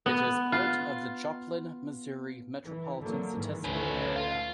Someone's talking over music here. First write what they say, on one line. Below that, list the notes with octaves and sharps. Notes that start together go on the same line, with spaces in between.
It is part of the Joplin, Missouri Metropolitan Statistical Area.
B3
F4
E3
D3 F#3 A#3
G#2 D#3 E3
D2 A3 C#4 B4
F4